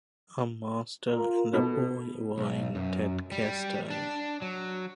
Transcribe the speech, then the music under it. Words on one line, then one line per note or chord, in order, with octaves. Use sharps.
A master and a boy were in Tadcaster Inn.
F4 A#4
B2 A4
B1
F#2
G3
D4
F#3